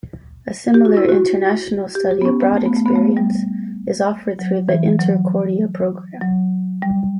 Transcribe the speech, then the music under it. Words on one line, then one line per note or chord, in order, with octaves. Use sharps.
A similar international study abroad experience is offered through the Intercordia program.
G4
F#4
E4
F#4
G4
G4
B3
C#4
B3
A3
B3
A3
B3
A3
G3
F#3
E3
F#3
F#3
G3